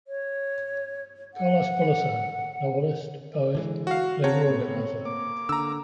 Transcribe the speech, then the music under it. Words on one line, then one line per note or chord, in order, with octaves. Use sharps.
Carlos Bulosan, novelist, poet, labor organizer.
C#5
F#5
D3 E3 G#3
F#4 F5
C4 C#5 F#5 A5 A#5
A2 B3
A#3 D6
D3 A#5 E6